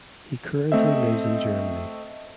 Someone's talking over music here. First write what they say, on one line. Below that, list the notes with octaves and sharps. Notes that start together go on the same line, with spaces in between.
He currently lives in Germany.
A3 C4 D#5 E5